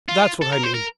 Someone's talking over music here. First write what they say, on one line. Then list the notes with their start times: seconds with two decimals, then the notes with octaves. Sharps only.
That's what I mean.
0.09 F4
0.42 A4
0.53 A#4
0.63 C5
0.74 A#4